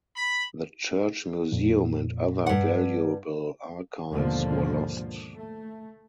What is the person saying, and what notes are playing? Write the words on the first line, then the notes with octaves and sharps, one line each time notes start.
The church museum and other valuable archives were lost.
B5
F2 A#2
G2 F#5
D#2 G#2 B2 D3 F3 A#3
A3